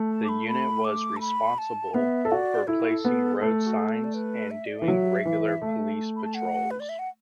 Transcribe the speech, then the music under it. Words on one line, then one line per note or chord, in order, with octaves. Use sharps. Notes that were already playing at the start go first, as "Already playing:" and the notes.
The unit was responsible for placing road signs and doing regular police patrols.
Already playing: A3
A5
D6
B5
B5
D6
A5
B5
A5
B3 E5
A4
F#4 D5
E4 A4
F#4
A4
B3
A3 B4
A4
F#4
A4
D5
B4
E5
D5
E3 E5
F#3
E3
A3
B5
A5
F#5
B4
D5
E5
F#5